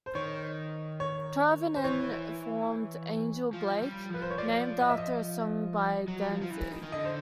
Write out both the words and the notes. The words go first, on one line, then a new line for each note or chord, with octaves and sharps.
Tervonen formed Angel Blake, named after a song by Danzig.
C5
D#3 C#5
C#5
C5
E3 C#5
F3
G3
F3 B4
C5
C#5
F3 D5
D#5
E5
D#5
F#3
F3
F3
E3
D#3
D#3
D3 D#5
C5